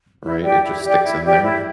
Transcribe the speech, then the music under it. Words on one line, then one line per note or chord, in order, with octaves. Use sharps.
right? It just sticks in there?
E4
G4 D5 G5
E4
G4 D5 G5
E4
G4 D5 G5
E4